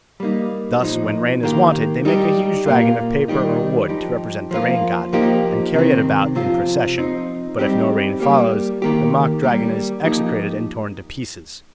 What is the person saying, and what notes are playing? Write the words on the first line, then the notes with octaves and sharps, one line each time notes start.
Thus, when rain is wanted they make a huge dragon of paper or wood to represent the rain-god, and carry it about in procession; but if no rain follows, the mock-dragon is execrated and torn to pieces.
G3 A#3 D#4
A#2 F3 D#4
D#3 A#3 G4
G3 D#4 G4
A#2 A#3 F4
D#3 G3 D#4 G4
F3 D#4 G4
F3 A#3 F4
F3 A#3 D#4 G4
C3 D#3 C4
C3 F3 C4 F4
F3 C4 D#4
G3 C4 D#4 G4
G3 A#3 G4
D#3 A#3 G4
G3 A#3 G4
F3 A#3 D#4 G4